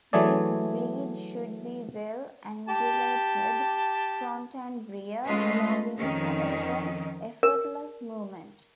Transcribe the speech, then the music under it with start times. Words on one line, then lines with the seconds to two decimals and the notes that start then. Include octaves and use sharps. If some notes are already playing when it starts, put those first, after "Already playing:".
This breed should be well-angulated front and rear, allowing for open, effortless movement.
0.13 E3 F#3 A3 G#4 D5
2.69 G4 A5
5.26 G#3 A3 C#4 F4 B4 D#5
5.97 F2 D#3 C#4
7.43 A#4